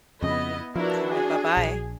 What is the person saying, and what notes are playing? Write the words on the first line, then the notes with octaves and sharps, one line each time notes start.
Alright. Bye-bye.
F2 C#3 B3 E4 D#5
F3 D4 E4 F#4 A#4 B4
G#4
A#1